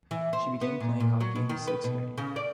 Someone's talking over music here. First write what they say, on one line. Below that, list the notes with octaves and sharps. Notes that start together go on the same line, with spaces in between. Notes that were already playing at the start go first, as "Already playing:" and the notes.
She began playing hockey in the sixth grade.
E3
C5
B3
A#2
A#2
F#3
B2
D#3
B4
B2
C#3
D5